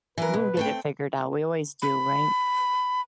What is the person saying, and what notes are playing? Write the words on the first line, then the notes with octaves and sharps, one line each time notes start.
We'll get it figured out. We always do, right?
E3 A#4 B4
B2
A3 C4 G5
B5